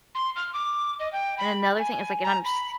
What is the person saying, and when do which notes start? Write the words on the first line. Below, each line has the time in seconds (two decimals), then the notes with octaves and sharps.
And another thing is, like and I'm s
0.15 C6
0.36 F6
0.54 D6
1.00 D#5
1.13 G5
1.38 B5
1.79 G#5
2.24 A#5
2.45 B5